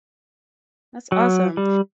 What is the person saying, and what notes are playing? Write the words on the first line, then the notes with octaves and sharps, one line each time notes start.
That's awesome.
F#3
G3